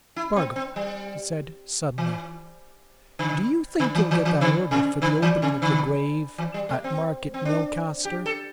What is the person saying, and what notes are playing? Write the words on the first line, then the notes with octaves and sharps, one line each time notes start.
"Spargo," he said, suddenly, "do you think you'll get that order for the opening of the grave at Market Milcaster?"
E4
C4
C4
G3
E3
D3
D3
E3
E3
E3
D3
C3
D3
E3
C3
D3
E3
G3
A3
C4
C4
D4
G4
A4